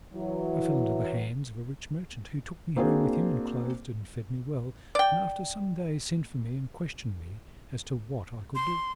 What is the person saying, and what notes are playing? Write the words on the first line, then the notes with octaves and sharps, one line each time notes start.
I fell into the hands of a rich merchant, who took me home with him, and clothed and fed me well, and after some days sent for me and questioned me as to what I could do.
E3 F#3 E4
A#3 C4 D4 F#4 G#4 C5
D5 G5
C6